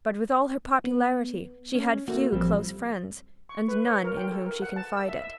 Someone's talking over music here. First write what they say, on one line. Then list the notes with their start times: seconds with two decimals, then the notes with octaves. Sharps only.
But with all her popularity she had few close friends, and no one in whom she confided.
0.84 B3
1.75 C#4
2.08 A3 A#3 F#4
2.32 A1 F3 G3 C4
3.49 C#6
3.68 B4
3.87 C#5
4.04 A#4
4.17 G5
4.32 A4
4.46 A#4
4.62 F#5
4.76 A5
4.96 E6
5.08 E5
5.22 E5